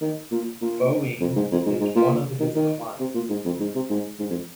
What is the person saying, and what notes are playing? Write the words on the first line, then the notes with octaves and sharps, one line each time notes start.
Boeing is one of his clients.
D#3
A#2
A#2
F2
G#2
F2
G#2
G#2
A#2
D#3
D#3
C3
A#2
G#2
F2
G#2
C3
G#2
G#2
F2